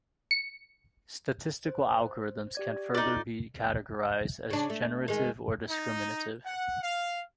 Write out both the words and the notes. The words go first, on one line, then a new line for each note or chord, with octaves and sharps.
Statistical algorithms can further be categorized as generative or discriminative.
C#7
C5
G4 D5 G#6
D#4 F4 A4 D5
C#3 D4
A3
D#3 G#3
D#4
F#5
F5